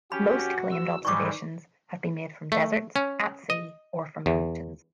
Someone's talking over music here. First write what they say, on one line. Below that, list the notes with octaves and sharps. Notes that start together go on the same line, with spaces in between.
Most claimed observations have been made from deserts, at sea, or from mountains.
F#2 C#4 F#4 G4 B5
E6
G#2 E3 G3 C#6 D6
A3
C#4
D#5
E2